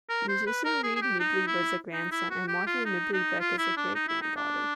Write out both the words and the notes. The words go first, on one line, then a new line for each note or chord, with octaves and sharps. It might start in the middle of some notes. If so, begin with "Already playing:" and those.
Musician Reid Nibley was a grandson, and Martha Nibley Beck is a great-granddaughter.
A#4
C5
B4
A#4
G#4
G#4
G4
D#4
E4
D#4
E4
F#4
G4
F4
D#4
D#4
F4
E4
D4
D#4
E4
D#4
D4